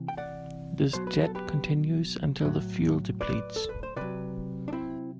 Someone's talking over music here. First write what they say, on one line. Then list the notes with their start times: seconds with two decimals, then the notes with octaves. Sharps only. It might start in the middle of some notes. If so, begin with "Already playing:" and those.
This jet continues until the fuel depletes.
Already playing: C3 E3
0.08 G5
0.17 D5 F#5
0.93 B2 F#3 C5
1.07 B4
1.21 A4
1.35 G4 B4
2.45 A2 F#3
3.21 B4 D5
3.56 A4
3.69 B4
3.83 C5
3.96 C3 F#3 B4 D5
4.68 D4
4.73 C4 E4